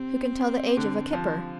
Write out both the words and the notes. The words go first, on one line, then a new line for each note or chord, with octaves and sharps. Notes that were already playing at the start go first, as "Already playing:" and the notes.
Who can tell the age of a kipper? . . .
Already playing: C3 C4
D3
F3